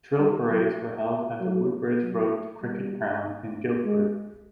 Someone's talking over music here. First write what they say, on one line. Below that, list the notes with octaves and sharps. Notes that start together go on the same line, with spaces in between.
Drill parades were held at the Woodbridge Road cricket ground in Guildford.
G3
F#3
F#3
F#3
G3
G#3